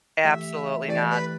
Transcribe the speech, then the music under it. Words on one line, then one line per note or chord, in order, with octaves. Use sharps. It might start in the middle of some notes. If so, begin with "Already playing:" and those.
Absolutely not.
E3 A3 G4 E5
E3 A3 G4 D5
B4